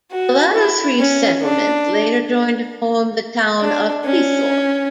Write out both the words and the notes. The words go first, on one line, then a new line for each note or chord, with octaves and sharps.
The latter three settlements later joined to form the town of Cleethorpes.
F#4
E4
C#4
D4
D4
C#4